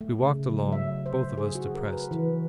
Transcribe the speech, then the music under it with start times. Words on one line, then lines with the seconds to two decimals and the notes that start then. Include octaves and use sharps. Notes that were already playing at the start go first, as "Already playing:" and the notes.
We walked along, both of us depressed.
0.01 A3
0.23 C#3
0.51 F#3
0.72 E5
1.06 C5
1.38 G#4
1.55 F#4
1.75 A#4
1.93 B4
2.11 E3